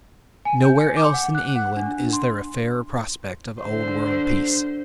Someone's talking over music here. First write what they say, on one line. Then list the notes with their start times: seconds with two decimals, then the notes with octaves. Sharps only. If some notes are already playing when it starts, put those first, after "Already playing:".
Nowhere else in England is there a fairer prospect of old-world peace.
0.45 G#5
0.63 G6
0.81 C#7
0.97 D6
1.14 F#5
1.35 F#6
1.56 F#5
1.77 D4
2.13 C6
3.62 D3 C5